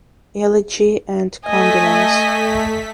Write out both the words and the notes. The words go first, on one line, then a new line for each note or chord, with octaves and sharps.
Elegy and condolence.
A3 D#5 G#5 B6